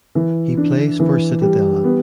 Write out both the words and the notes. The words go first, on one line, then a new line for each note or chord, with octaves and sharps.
He plays for Cittadella.
E3
D4
E3
G3
B3